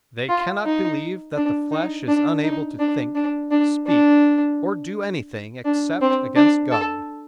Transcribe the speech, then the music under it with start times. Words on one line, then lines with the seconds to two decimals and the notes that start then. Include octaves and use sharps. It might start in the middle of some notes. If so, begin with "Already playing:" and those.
They cannot believe that the flesh is unable to think, speak, or do anything except against God.
0.29 F4
0.65 D#4
1.36 D4
1.72 D#4
2.08 D4
2.43 D#4
2.79 D4
3.15 D4
3.51 D4
3.86 D4
5.65 D4
6.01 C4
6.36 D4
6.71 A4